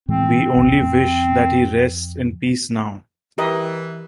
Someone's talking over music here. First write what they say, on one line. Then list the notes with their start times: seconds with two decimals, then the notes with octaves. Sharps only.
We only wish that he rests in peace now.
0.08 A2 E3 G#3 C4
0.57 A#1 D#2
0.81 F2
3.38 E3 G4 A#4 D#5